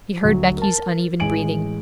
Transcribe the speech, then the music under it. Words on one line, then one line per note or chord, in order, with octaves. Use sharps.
He heard Becky's uneven breathing.
D2 F#3
A#4 A5
A1 G#3 G#5 D7 F#7